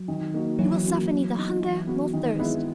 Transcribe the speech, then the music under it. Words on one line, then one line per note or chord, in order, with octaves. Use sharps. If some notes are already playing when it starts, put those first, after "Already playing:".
You will suffer neither hunger nor thirst!
Already playing: F#3
D#3
A#3 D#4 F#4
E3 F#3
A#3 C#4 F#4
E3
B3 D#4
E3
B3 F#4
D#3
G#3 B3 E4